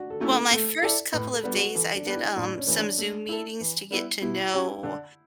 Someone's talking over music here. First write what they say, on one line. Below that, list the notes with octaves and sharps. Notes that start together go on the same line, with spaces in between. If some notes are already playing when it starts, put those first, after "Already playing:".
Well, my first couple of days, I did, um, some Zoom meetings to get to know,
Already playing: D4 F#4
A4
F#3 A3 C#4 E4
A4
A3 A4
E4 A4 D5
A2 B4
A4
G3 B3 D4
F#4
E3 A4
D4
B3 D4 G4 B4
E4
A2 D4
C#4
E3 A3 E4
D4
A3
E4 A4
E3
G3 B3 E4
B2 E4
F#3 C#4 G4 C#5
D3